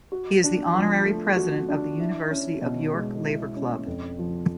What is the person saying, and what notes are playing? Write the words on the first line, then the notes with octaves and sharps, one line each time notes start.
He is the honorary president of the University of York Labour Club.
F#4
D4
F3
A3
F#4
D4
E4
C#4
B2
G#3
E4
C#4
F2
F3